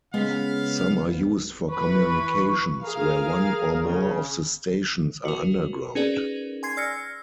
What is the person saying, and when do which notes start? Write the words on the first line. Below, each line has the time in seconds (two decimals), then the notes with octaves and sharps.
Some are used for communications where one or more of the stations are underground.
0.14 C#3 G#3 B3 F5 B6
1.70 E3 B4 C#6
2.85 G#4 A#4 F5
3.84 C#3
5.25 F#4 A#4
5.95 C#4 D#4 G#4 A#4 B4 D5
6.63 G#5 C6 G#6 C7
6.77 D5 E6 F6 A#6 C#7